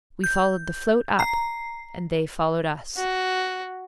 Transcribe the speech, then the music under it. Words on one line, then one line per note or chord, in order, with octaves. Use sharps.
We followed the "float" up and they followed us.'
G6
A#5 C7
F#4